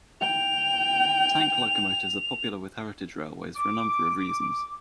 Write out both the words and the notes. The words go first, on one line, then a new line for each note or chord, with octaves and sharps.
Tank locomotives are popular with heritage railways for a number of reasons.
G5 F7
D6